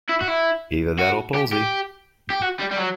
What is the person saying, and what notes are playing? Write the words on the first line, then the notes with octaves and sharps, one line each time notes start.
Either that or palsy.
E4
F#4
E4
F#4
G4
G4
G4
F#4
G3
G3
F#3